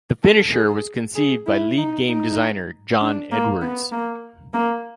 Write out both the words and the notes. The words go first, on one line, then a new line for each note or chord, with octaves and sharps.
The finisher was conceived by lead game designer John Edwards.
A4
G#4
G#4
E4
D#4
D#4
D4
A#3
B3
A#3
A#3